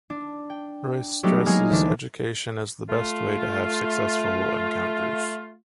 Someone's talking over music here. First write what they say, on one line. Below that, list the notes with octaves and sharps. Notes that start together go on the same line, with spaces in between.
Royce stresses education as the best way to have successful encounters.
D4
G5
F#3 G3 A3 B3 D#4 G4
F#3 G#3 A#3 D#4 G#5 F6
D2 E3 D4
A3 F4